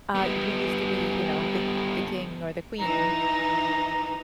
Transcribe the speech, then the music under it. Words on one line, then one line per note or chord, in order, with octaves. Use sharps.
uh, who used to be, you know, the the king or the queen,
G3 B3
E3 D#4 A#5